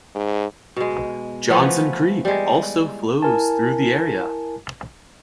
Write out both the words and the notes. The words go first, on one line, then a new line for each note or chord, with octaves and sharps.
Johnson Creek also flows through the area.
G#2
B2 G#3
E3 F3 A3 B3
G3 G#3
E4 A#4 G#5 A5